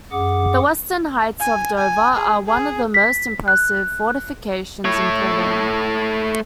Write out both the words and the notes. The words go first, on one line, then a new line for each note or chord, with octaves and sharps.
The Western Heights of Dover are one of the most impressive fortifications in Britain.
F#2 G#4 F#5 D6
G#5
G#5
G#4
G#4
B6
F#6
A3 C#5